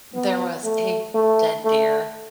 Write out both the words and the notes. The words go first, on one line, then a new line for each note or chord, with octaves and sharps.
there was a dead deer
B3
A3
A3
A3